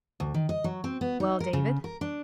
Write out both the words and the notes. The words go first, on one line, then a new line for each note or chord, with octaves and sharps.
"Well, David."
D2
D#3
D#5
F#3
C4
B3
D#4
A#4
C#3
A#4
D4